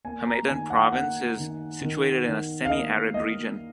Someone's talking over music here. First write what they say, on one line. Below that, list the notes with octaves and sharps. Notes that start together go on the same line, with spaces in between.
Hamedan province is situated in a semi arid region.
A#3 G#5
A#5
D#3 G#5
F#5
A#3 F#5
D#3
D#3
D#3
F5
A#3 D#5
A#3 D#5